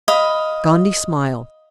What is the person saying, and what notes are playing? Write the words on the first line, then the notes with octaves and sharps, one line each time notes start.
Gondy smiled.
D#5 F5 B5